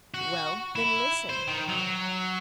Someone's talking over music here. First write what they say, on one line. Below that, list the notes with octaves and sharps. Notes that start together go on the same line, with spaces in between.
"Well, then, listen."
F#4
E4
C5
D#3
F#3